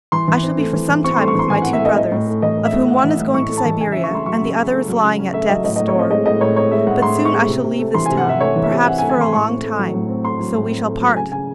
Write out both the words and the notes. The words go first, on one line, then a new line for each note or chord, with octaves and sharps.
I shall be for some time with my two brothers, of whom one is going to Siberia and the other is lying at death's door. But soon I shall leave this town, perhaps for a long time, so we shall part.
E3 C6
E3
C4
A3
E3
E3
C4 C#6
C6
A3
C#6
E3 C6
E3 G#5
F#5
C4
E5
A3 D#5
A2 D#5
A2
A3
E3 D#5
A2
E5
A2
A3 F#5
E3
E5
A2
A2 C#6
A3
A5
E3
C#3 G#5
E5
C#4
C#6
A3 C6
F#3 C#6
C#3
C#4
A3
F#3
C#3
C#4
A3 E5
F#3 D#5
A2 D#5
D#5
A2
C#5
C4 D#5
G#3 D#5
A2 D#5
A2 C#5
C4 C#5
G#3 E5
A2 F#5
A2 C6
C4
C#6
G#3
C3
C3
A3
E3 C6
G#5
C3
F#5
C3 E5
A3 C#5
E3
E5
C3
C3 F#5
G#5
A3
G#5
E3 C6
A2 C#6
C4
A3
F#3
A2
C4
A3 C6
F#3
A2
C4
A3
F#3
C#3 G#5
C#3 G#5